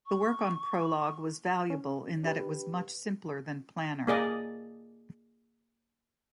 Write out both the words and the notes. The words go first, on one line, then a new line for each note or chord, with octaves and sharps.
The work on Prolog was valuable in that it was much simpler than Planner.
C#6
C#4
D4 G4 B4
A#3 G#4 D5 D#5